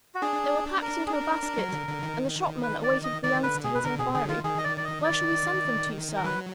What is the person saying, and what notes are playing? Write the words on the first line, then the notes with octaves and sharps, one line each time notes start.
They were packed into a basket, and the shopman awaited the answer to his inquiry, 'Where shall we send them to, sir?'
F#4
D4 G#4
A#4
G#4
A#4
D4
F#3
D3
D3
D#3
B4
D5
D#5
D#3 D5
D3 B4
B2 G#4
B4
D3 A#4
B2 G#4
D3 G#4
D#3 F4
D#3 G#4
D#5
D5
D5
D#5
D5
A#4
F#3 B4